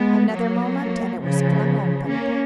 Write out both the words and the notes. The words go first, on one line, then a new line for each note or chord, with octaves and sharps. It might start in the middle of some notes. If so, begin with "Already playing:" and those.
Another moment, and it was flung open.
Already playing: G#3 B3
F#3 A#3
C#3 F3
A#3 C#4